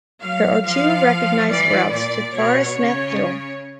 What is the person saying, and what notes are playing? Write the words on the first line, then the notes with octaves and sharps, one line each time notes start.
There are two recognized routes to Parasnath Hill.
F#3 F5
F3 F5
E3 D5
A#2 D5
B2 C#5
C#3